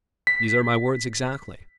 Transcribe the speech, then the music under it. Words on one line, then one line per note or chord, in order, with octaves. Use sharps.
"These are my words exactly."
B6